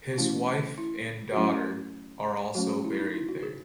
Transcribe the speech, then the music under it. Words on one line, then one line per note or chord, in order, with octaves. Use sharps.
His wife and daughter are also buried there.
F#4
E3 A3 C#4 E4
E4
F#4
F#3 A3 C#4 E4
F#3 A3 C#4 F#4
G#4
E4
D#4
E4
F#4
G#4